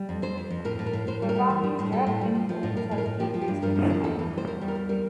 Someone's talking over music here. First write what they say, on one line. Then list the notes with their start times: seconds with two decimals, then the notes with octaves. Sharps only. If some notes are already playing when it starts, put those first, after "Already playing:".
Bourbaki's direct influence has decreased over time.
Already playing: G3
0.09 F2
0.22 F2 C5
0.37 F2
0.50 F2
0.65 A2 A#4
0.79 A2
0.86 A#4
0.93 A2
1.07 A2 C5
1.22 G3
1.29 A#4
1.36 G3
1.50 E3
1.63 G3
1.79 A2
1.92 G3 A4
2.07 A2
2.21 G3
2.35 F3
2.49 F3
2.63 A2
2.77 A2 A#4
2.91 A2
2.98 A#4
3.06 A2
3.19 F3 G4
3.34 F3
3.41 G4
3.48 G2
3.62 G2 A#4
3.76 G2
3.90 F3
4.04 E2 A4
4.19 E3
4.33 G3 C5
4.47 E2 A#4
4.61 G3
4.68 A#4
4.75 E2
4.89 G3 A#4